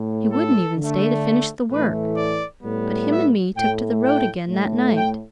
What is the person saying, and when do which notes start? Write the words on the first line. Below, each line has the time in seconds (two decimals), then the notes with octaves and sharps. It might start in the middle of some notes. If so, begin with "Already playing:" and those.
He wouldn't even stay to finish the work, but him and me took to the road again that night.
Already playing: A2 A3
0.30 A4
0.77 D3 A3
1.69 A2 E3 A3 B4
2.16 D5
2.63 A2 G3 B3
3.09 E5
3.56 A2 A3 G5
4.02 G5
4.49 A2 A3
4.95 G5